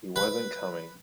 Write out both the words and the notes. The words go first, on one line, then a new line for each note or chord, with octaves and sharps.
He wasn’t coming.
B4